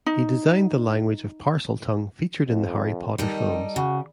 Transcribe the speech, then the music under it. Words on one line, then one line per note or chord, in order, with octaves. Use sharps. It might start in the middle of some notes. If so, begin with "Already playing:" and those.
He designed the language of Parseltongue featured in the Harry Potter films.
D#4
F2
D#3 G3 D#4 A4
C#3 F#4